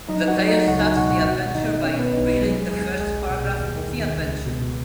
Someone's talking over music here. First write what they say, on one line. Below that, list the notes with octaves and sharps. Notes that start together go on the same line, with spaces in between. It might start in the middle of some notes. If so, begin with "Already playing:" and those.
The player starts the adventure by reading the first paragraph of the adventure.
F#3 D#4 D#5
F#4 F#5
F#3
D#4 D#5
C#2 F#4 F#5
D#4 D#5
B2 F#4 F#5
F#4 F#5
G#1
G#1 D#4 D#5
B2 C#4 C#5
B3 B4
B1 D#4 D#5
B3 B4
F#3 G#3 G#4
D#2 G#3 G#4
B1 G#3 G#4
B2
D#2
D#3
C#2
B2